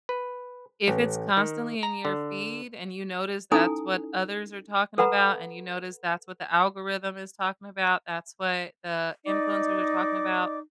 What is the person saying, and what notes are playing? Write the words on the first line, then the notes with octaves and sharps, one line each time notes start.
if it's constantly in your feed and you notice that's what others are talking about and you notice that's what the algorithm is talking about, that's what the influencers are talking about,
B4
A1
D#3
A#5
D3
C#4 D#4 E4 A4 G#5 D#6
A4 B4 F#5 A#5 B5
D#4 D5 D#5 D6